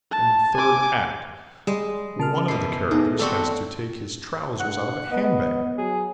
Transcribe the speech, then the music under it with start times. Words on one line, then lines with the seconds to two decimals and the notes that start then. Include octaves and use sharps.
In the third act one of the characters has to take his trousers out of a handbag.
0.11 A5
0.55 G#5 D6
1.67 G3 G#3 G#4 D5
2.20 C#3 A#4 A5 F6
2.48 B2 E3 C7
2.91 E2 B3 D#4 G#4 A4
3.19 A3 C4 F#4 A4 D5 C#6
4.60 G2 F#5
5.12 B3 D#5
5.78 F#3 G#4